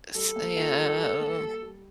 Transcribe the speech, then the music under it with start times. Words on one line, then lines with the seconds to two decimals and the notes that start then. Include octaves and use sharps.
s uh,
0.15 G3 A4
0.36 A#3
0.57 F4
0.78 G3
0.99 G3
1.20 A#3
1.41 G3
1.62 G3